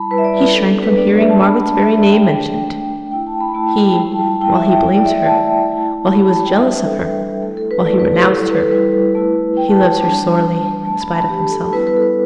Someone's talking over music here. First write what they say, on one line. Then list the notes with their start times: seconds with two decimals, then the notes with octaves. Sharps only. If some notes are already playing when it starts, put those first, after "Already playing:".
He shrank from hearing Margaret's very name mentioned; he, while he blamed her--while he was jealous of her--while he renounced her--he loved her sorely, in spite of himself.
Already playing: G3 E4 A5 B5
0.10 G3 E4 B4
0.18 E5
0.24 D5
0.40 B4
0.53 G3 B3 D4 A4
0.68 A4
0.83 B4
0.97 G3 B3 D4 D5
1.07 D5
1.18 E5
1.29 A5
1.39 A3 D4 B5
1.62 A5
1.82 A3 D4 E5
1.98 D5
2.11 G5
2.26 A3 D4
2.69 A3 D4
3.11 A3 E4 G5
3.26 A5
3.40 B5
3.54 A3 E4 A5
3.76 G5
3.98 G3 E4 G5
4.12 A5
4.27 A5
4.41 G3 E4 G5
4.55 E5
4.70 G5
4.83 A3 E4 G5
4.95 D5
5.06 E5
5.16 G5
5.26 A3 E4 A5
5.70 A3 E4
6.13 A3 E4 B5
6.23 A5
6.34 A5
6.45 G5
6.56 G3 D4 E5
6.71 B4
6.85 A4
6.99 G3 D4
7.42 A3 E4 A4
7.57 A4
7.71 B4
7.86 A3 E4 D5
7.99 B4
8.14 G4
8.28 G3 E4 A4
8.50 B4
8.60 A4
8.71 G3 E4 B4
9.15 A3 E4
9.57 A3 E4 G5
9.68 A5
9.78 G5
9.90 A5
10.00 G3 D4
10.43 G3 D4
10.87 A3 D4 A5
11.01 B5
11.15 A5
11.29 A3 D4 G4
11.51 A4
11.72 G3 B3 E4 B4
11.87 B4
11.96 A4
12.02 B4